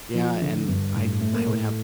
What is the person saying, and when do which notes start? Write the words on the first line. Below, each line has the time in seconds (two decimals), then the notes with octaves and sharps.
yeah, and I I would have
0.14 F3 F4
0.41 D3
0.68 G2
0.95 A2
1.20 A3
1.33 A#3 A#4
1.47 A2